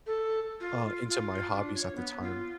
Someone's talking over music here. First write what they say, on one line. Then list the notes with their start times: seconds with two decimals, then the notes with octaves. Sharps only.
uh, into my hobbies at the time.
0.07 A4
0.61 F4
1.09 F4
1.51 D4
1.75 C#5
1.96 B3
2.23 F4